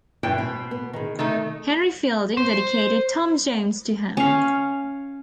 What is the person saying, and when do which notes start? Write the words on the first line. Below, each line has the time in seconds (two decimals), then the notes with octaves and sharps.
Henry Fielding dedicated "Tom Jones" to him.
0.23 G2 B2 E3 G5
0.38 C4
0.71 B3
0.93 D#3 G#4
1.19 D#3 A3 D#4 A4
2.37 C5
4.17 C#4 F5